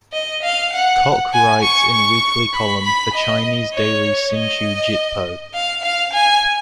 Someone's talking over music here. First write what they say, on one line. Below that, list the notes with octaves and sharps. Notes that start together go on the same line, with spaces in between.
Kok writes in weekly column for Chinese daily Sin Chew Jit Poh.
D#5
F5
F#5
G#5
C#6
C#6
B5
B5
D#5
C#5
D#5
F5
F5
G#5